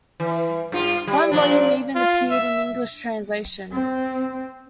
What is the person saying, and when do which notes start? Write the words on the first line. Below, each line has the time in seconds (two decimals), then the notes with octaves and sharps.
One volume even appeared in English translation.
0.20 E3
0.72 G2 F4
1.07 G3
1.32 A#2 F3 D4
1.95 F4
2.31 E5
3.72 C4